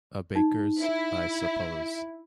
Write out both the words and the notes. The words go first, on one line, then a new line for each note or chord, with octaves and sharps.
'A baker's, I suppose.
D#4
E4